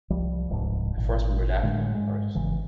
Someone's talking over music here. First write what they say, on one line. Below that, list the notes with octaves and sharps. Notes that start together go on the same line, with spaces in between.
At first we were laughing when we heard it.
C2 F3 G3
D1 C2 G#2 F3
G#1 A#2
A2 D3 G#3
G#2 G#3
G1 C#3 E3